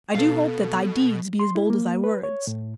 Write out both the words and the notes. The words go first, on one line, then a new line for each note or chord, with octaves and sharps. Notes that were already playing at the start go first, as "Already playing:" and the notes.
"I do hope that thy deeds be as bold as thy words."
B2 A4 F5
C6
E4
A#3
B4
C#5
A2